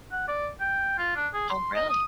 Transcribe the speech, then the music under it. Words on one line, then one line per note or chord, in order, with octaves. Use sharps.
Oh, really?
F#5
D5
G5
F4
D4
G#4
C6
D#5
D#6